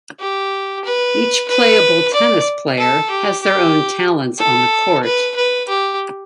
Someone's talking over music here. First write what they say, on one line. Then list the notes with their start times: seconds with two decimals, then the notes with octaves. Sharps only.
Each playable tennis player has their own talents on the court.
0.20 G4
0.85 B4
1.48 B4
2.13 D5
2.78 A4
3.10 G4
3.43 G4
4.38 A4
5.03 B4
5.36 B4
5.68 G4